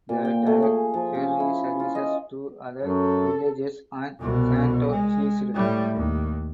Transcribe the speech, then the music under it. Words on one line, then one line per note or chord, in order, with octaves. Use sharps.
The direct ferry services to other villages on Sandoy ceased.
A#2
G5
A3
G#4
F3
C#4
E4
F4
D#5
F#2 A4
C2 B2
G#3
A2 G3
D#2